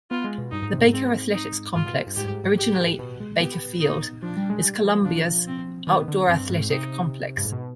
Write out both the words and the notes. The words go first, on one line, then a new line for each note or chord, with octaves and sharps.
The Baker Athletics Complex, originally Baker Field, is Columbia's outdoor athletic complex.
B3 F4
G#3
B2
G2 D#4
G#2
C3
G2
G#2
G#2 C4
D#4
G#2 F4
B2
G2
G#2 G4
G2
G#2
G#2
G4
B2
G#3
B3 G4
D#4
F3 D4
G3
G#3
G3
F3
F3 D4
C4
D#3 B3
D3
G2 C4
G#2
C3 D#4
G2
G#2
B2